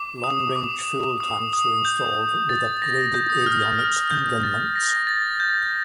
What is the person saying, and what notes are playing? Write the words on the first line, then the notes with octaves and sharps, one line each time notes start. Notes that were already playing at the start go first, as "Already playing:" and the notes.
Long range fuel tanks were installed with upgraded avionics and gun mounts.
Already playing: D6
D#6
D6
D#6
D#6
G6
A6
A#6
G6
D#6
F6
G6
F6
G6
A6
A#6
A6
G6